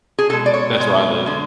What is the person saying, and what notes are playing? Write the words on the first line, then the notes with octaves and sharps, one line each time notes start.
That's where I live,
G#4
B2 G#3 A4
D5
C#5
B2 G#3
D3 G#3